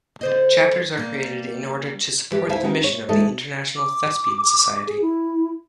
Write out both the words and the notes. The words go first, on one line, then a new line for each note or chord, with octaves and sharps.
Chapters are created in order to support the mission of the International Thespian Society.
D3 C5 D#5
G3 A#3
E3 G3 G4 B4
D2 E4 C5 F5 G#5
C#4 D#4 F#4 B4
C#5
D2 E3 G#3 D#4 A4 D#5
D6
G#4
E4